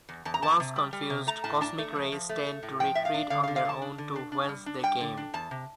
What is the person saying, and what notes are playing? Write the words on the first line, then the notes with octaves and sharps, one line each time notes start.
Once confused, cosmic rays tend to retreat on their own to whence they came.
E2
E2 A5
A#5
E2 A5
C3
G3
G3
C3
A3 A#5
A2 A5
D4 A5
A3
F3
F3
A3
A3
A2
F3 G5
A2 E5
F5
D4
D3 F5
F5
D3
F5
D3 A5
D4
D3
D4
D4
G3
D4
G3 G5
D3
D4
E2 A5
C3